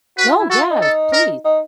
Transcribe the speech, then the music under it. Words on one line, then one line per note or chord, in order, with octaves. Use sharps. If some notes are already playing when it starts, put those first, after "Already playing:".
No, yes, please.
F#4 B4
F4
E4
F#4 A4
F4
D#4
A4
A#4
D#4